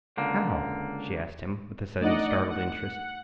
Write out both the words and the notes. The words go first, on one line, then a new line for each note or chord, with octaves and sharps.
"How?" she asked him with a sudden startled interest.
C#2 D3 A#3
A3 D4 D#4 D5 D#5 F#5
F#5